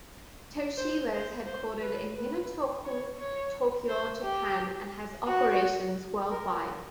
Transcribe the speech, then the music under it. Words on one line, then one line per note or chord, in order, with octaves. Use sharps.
Toshiba is headquartered in Minato-ku, Tokyo, Japan and has operations worldwide.
C5
C5
C5
B4
B4
C#5
C#5
C5
G4
F#4
A#4